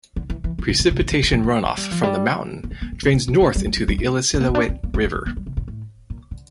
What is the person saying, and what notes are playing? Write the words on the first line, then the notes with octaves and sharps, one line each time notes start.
Precipitation runoff from the mountain drains north into the Illecillewaet River.
D3
E3
E3
E3
C3
A#2
C3
C3
D3
D3
E3
E3
A3
G3
F3
G3
A#3
A3
A#3
C4
D4
D4
C4
A#3
G3
G3
F3
G3
A3
C4
A#3
C4
D4
C4
A#3
E4
D4
C4
A#3
G3
C3
A#2
A2
A#2
D3